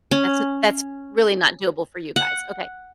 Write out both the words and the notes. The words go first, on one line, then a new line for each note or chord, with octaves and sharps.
That's n that's really not doable for you guys, okay.
C#4
F#5